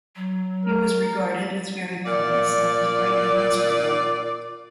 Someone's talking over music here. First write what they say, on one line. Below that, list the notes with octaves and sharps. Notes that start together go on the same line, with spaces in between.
He was regarded as very pious and greatly hospitable.
F#3
A#4
A#2 D5